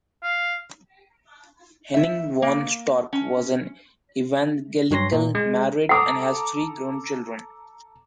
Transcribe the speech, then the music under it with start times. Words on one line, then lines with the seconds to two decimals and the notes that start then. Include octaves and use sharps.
Henning von Storch was an Evangelical, married and has three grown children.
0.23 F5
1.94 E5
2.42 A#3
3.13 C#4
4.91 G2 F#3 C#5 C6 A#6
5.12 A#2
5.35 G#3
5.89 A4 F#5 A#5 D6 D#6